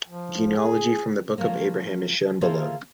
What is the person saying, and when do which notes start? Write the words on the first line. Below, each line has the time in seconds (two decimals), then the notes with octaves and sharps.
Genealogy from the Book of Abraham is shown below.
0.08 F3
0.57 G#4
1.38 F3 F#3 G#3 A#3
2.41 A#3 F4 G#4 A4 C5 E5